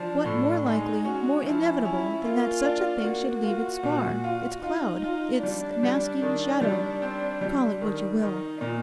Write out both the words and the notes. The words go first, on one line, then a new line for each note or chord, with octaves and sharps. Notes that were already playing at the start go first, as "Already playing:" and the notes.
What more likely, more inevitable than that such a thing should leave its scar, its cloud, its masking shadow?--call it what you will.
Already playing: F3 D4
A2
G#3 D#4
C#4 F#4
F3 E4
C#4 E4
A#3 F4
D4
A#3 F#4
F4
A#2
F4
D#4 F4
F4
G3 D4
G3
D#3
G3
C4
G3
D#3
D#3 D#4
A#2